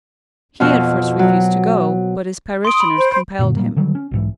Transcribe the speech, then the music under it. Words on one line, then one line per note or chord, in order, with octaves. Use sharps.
He, at first, refused to go, but his parishioners compelled him.
F2 B2 F6
F#3
C6 D#6 D7
B5
C5
F#2 A#2 D3
A#2 F#3 G3 A#3
D3 D#3 F#3 G3
C#4
B1 G#2 E3